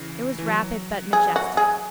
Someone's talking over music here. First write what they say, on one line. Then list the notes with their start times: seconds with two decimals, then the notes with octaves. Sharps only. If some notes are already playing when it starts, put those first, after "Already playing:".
It was rapid but majestic.
Already playing: C#3 E3
0.38 E3
0.48 F#3
1.13 G#4
1.36 F#4
1.57 G#4